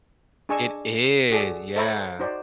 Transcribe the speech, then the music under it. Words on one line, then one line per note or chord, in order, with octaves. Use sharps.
It is. Yeah.
D4 G#4 D#5 G#5 C#6 E6
F#4 G#4 A4 D5
A4 C5 E5 A#5 B5 C#6
D#4 F#4 C5 D5